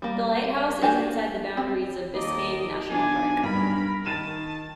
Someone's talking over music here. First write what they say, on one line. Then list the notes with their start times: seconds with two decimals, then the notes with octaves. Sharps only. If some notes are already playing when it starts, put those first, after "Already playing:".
The lighthouse is inside the boundaries of Biscayne National Park.
0.02 G3 A#3
0.82 D4 F#4 G4 G#5
1.57 C4
2.14 D#2 A4 D#5 A#5 D6
2.89 B1 D4 G#5
3.43 G2 A#4 B5
4.06 D#3 A5 A6 D#7 E7